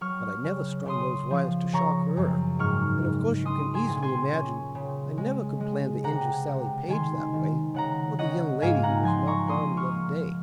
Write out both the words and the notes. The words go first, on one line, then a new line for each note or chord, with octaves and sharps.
"But I never strung those wires to shock her, and of course you can easily imagine I never could plan to injure Sallie Page that way, or the young lady who was knocked down the other day."
F#3 C#6 F6
C#3
C#3 C6 D#6
F3
C#3 A#5 C#6
F#2
G#2 C#6 F6
G#2
G#3 C6 D#6
G#5 C6
A#2
G#5 C6
C#4
C#3
G#3
G#3
C3 F#5 A#5
C3
D#3 G#5 C6
D#3
C#3 F#5 A#5
C#4 D#5 F#5
G#2 F5 G#5
F#5 A#5
F3 G#5 C6
A#5 C#6
A#3 C6 D#6
C#6 F6
A#3